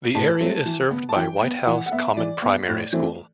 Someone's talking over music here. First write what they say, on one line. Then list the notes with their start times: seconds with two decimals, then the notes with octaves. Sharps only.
The area is served by Whitehouse Common Primary School.
0.15 A2 A5
0.40 F#3 A3 C4
0.66 E3
0.91 B3
1.09 A5
1.16 E3 G5
1.41 B3
1.66 E3 F#5
1.86 F#5
1.92 B3 E5
2.17 E3 D5
2.42 B3
2.68 A2
2.93 E3 A3 C4